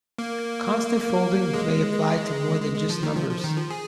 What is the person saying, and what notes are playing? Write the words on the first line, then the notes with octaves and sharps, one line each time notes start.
Constant folding may apply to more than just numbers.
A#3
G#3
G#3
G#3
F3
D#3
F3
F3
D#3
F3
G#4